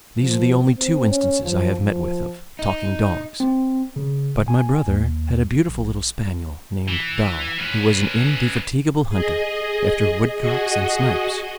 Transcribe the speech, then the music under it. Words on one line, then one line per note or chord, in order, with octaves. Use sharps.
These are the only two instances I have met with of talking dogs, but my brother had a beautiful little spaniel, named Doll, who was an indefatigable hunter after woodcocks and snipes.
F3
C4
C#4
F3
F3
D#4
C4
C#3
G#5
D#2
A#1
E3
C#4 B4
G#4 D#5
F#4 G#4 D#5